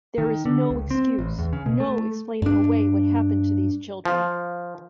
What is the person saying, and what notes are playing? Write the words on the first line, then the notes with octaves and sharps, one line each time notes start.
There is no excuse, no explaining away what happened to these children.
D#3
D3
C#2
C4
A1
E2
C#3
B2
A3
G2 D4
F3